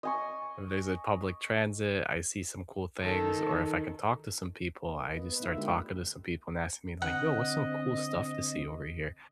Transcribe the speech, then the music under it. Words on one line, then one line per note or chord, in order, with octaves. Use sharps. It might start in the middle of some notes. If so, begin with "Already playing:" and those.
if there's a public transit, I see some cool things, or if I can talk to some people, I just start talking to some people and asking me like, "Yo, what's some cool stuff to see over here?"
D#5 G#5 C#6
D#3 A4
A#3
B4 D#5
B3 B4
A3 A#3 D#4 F4 E5
D3 G#3 A#3 D4 F#4 G4
D3 C4 D#5 F#5